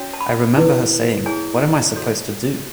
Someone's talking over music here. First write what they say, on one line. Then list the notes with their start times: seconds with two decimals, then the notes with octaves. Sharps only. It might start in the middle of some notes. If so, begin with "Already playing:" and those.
I remember her saying What am I supposed to do?
Already playing: C#4 F#4 C#5
0.13 A5
0.21 B5
0.56 E4 B4
1.26 E4 G#4 C#5 G#5
1.96 F#4 A4 C#5